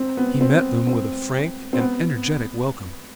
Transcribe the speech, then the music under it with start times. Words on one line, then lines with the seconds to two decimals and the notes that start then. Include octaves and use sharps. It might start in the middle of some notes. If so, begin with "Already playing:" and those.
He met them with a frank and energetic welcome.
Already playing: C4
0.17 B3
0.41 C4
0.87 C4
1.73 C4
1.79 B3